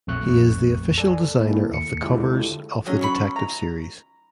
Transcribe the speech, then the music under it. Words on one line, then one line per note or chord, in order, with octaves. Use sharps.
He is the official designer of the covers of the detective series.
A#1 F2 A3 C#6 F#6
A4 D5 G#5
A#3 E4 A4
D#2 C#7
D3 G#3 E4 F4 G4 A4
F#3 C#4 D#5
B5 C#6
A#5